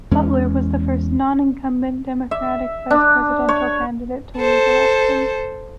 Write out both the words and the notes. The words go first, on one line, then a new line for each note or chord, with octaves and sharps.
Butler was the first non-incumbent Democratic vice presidential candidate to lose election.
E2 G#3 C#4
E5
D4
C#5
A4 C5